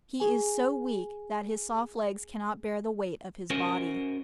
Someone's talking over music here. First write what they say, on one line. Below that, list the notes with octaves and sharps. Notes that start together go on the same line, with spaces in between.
He is so weak that his soft legs cannot bear the weight of his body.
G#4 G#5
C#4 F#4 A#4 C5 F#5 G#5